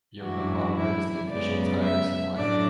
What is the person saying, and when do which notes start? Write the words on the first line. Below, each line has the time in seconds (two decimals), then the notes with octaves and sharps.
Yokohama is the official tire supplier.
0.22 F#2 E3 G#3 D4 F#4
0.76 E4
1.29 F#2 C#3 G#3 B3 D5
1.82 E5
2.36 A2 F#3 A3 D4 D5